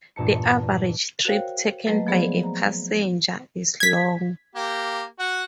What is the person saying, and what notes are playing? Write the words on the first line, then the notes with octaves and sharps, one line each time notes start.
The average trip taken by a passenger is long.
E2 G2 A#2 A5 C#7
F#4 A#4 C5 C#5 F5 G5
F#3 A3 A#3 B4 D#5
F3 F#3 B3 G#4 C5 D5
A#5
G#6 B6
A#3 G4
F#4 F#5